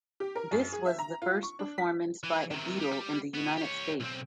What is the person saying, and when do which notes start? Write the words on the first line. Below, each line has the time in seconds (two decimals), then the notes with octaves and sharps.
This was the first performance by a Beatle in the United States.
0.20 G4
0.35 A#4
0.51 F#2
0.72 G#4
0.86 E5
0.99 A#5
1.22 F4
1.43 C#6
1.59 D4
1.78 B6
2.24 E3
2.51 C3 D#3
2.80 G3
3.34 B3 F#4
3.57 G4 C#5
4.00 B1 C4